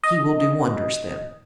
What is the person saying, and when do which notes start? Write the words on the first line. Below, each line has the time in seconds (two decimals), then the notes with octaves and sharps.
"He will do wonders then."
0.04 D#5